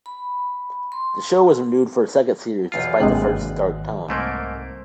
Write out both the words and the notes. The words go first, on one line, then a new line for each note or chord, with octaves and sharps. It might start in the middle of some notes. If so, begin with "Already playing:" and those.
The show was renewed for a second series despite the first's dark tone.
B5
C6
B1 E2 F4
G#1 G2 C3 G#3 A#3 F#6
C2 G#2 A3 A#3 C5 D7